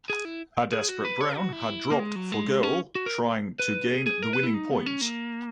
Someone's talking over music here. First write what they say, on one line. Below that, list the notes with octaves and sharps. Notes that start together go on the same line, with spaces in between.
A desperate Brown had dropped for goal trying to gain the winning points.
G#4
E4
G#4
F#4
B4
C#5
F#4
E4
A#3
G#3
F#3
G#3
C#4
F#4
A#4
B4
G#4
G#4
A#4
B4
E4
D#4
B3
C#4
A#3